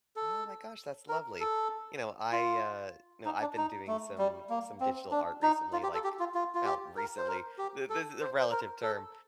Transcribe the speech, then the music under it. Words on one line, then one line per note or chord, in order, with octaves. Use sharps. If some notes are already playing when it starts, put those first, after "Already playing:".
Oh, my gosh, that's lovely. You know, I, uh, know, I've been doing some some digital art recently, like well, recently, th this is a relative term.
A4
A#4
A4
F4
D#4
D4
D#4
A3
G3
A#3
C4
D4
D#4
F4
G4
A4
G4
F4
F4
F4
G4
A#4
C5
A#4
G4
A4
C5
C5
A#4
A4